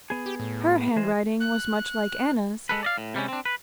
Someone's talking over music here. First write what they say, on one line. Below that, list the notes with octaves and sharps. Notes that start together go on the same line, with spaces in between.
Her handwriting was much like Anna's.
B3 G#4
G4
A2
E3 G#3 C5
F#6
G#3 A4 B4
D5 D#5 F5
A2
C3 G3 G#3 C#4
C4 D4
B4